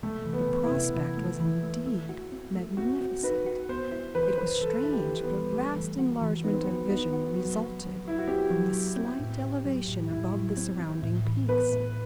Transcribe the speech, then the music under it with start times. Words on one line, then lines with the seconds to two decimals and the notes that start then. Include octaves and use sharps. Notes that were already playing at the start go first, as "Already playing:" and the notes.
The prospect was indeed magnificent; it was strange what a vast enlargement of vision resulted from the slight elevation above the surrounding peaks.
0.03 C3 A3
0.25 E3
0.33 B3
0.48 C3
0.63 E4
0.72 C3
0.94 E3
1.17 A3
1.40 E3
1.63 A3
1.86 A3
2.09 F#4
2.32 C4
2.55 A3
2.77 C4 F#4
3.01 C4
3.23 D#4 B4
3.46 F#4
3.69 B3 C5
3.92 E4
4.15 E3 B4
4.27 C5
4.38 E3 B4
4.61 E3 A4
4.84 E4
4.91 G4
5.07 E3
5.23 B3
5.30 E3
5.53 G3 A3
5.76 E3
5.99 F#4
6.21 E3
6.44 B3 D#4
6.54 C4
6.64 B3 F#4
6.90 B3 D#4
7.13 F#4
7.36 F#3
7.59 F#3
7.82 F#3
8.05 F#3 E4
8.18 F#4
8.28 C4 G4
8.51 F#3
8.73 F#3
8.96 C4
9.20 A2
9.42 C4
9.65 F#3
9.88 A2
10.10 A2 E4
10.34 F#3
10.57 C4
10.80 C4
11.03 A2
11.26 E3
11.48 B3 B4
11.72 A2